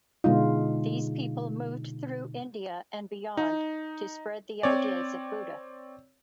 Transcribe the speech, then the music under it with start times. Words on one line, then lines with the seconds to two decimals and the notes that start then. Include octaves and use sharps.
These people moved through India and beyond to spread the ideas of Buddha.
0.24 B2 D3 G#3 D#4 F4
3.37 D#4
4.63 C4 C#5 D5